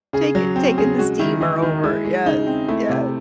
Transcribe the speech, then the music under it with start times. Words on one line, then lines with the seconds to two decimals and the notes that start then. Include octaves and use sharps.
takin taking the steamer over. Yes. Yes.
0.13 C#3 G#4
0.35 F#3
0.56 C4
0.78 C#3 G#4
0.98 G#3 F#4
1.19 D#3 E4
1.41 D#3 D#4
1.62 D#3
1.83 G#3 E4
2.05 G#3
2.26 C#3 D#4
2.47 C4
2.68 A3 E4
2.90 C3